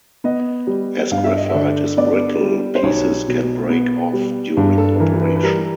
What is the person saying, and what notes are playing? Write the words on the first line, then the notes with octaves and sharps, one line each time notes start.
As graphite is brittle, pieces can break off during operation.
B3 D#5
G3
G2 F5
E5
D#5
D3 E5
B3 D5
G3
C5
B1 C#5
B2
B3
G3
G2
A4
E3 A#4
B4
B4
G3 A#4